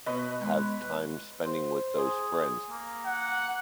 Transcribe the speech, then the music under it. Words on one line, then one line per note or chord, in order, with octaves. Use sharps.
have time spending with those friends.
B2 B4 C#5 D#5
G#3
C5
G#4
A#3
F#5